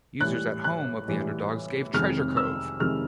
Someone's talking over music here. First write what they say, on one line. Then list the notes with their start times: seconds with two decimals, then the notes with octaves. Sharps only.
Users at Home of the Underdogs gave Treasure Cove!
0.21 A2 E3 G3 F#6
0.64 F#6
1.08 A2 E3 G3
1.93 F2 C3 D#3 G#3 F6
2.37 E6
2.80 C3 D#3 G#3 F6